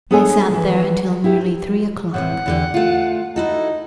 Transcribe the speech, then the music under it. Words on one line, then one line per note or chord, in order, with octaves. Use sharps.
They sat there until nearly three o'clock.
B3 D4 G#4 A4 C#5 G#5
E3 F3
E4 G4
A2 C3 E3 F#5
E2 D3 G4
A3 F4
D#4 E4 F#4 A4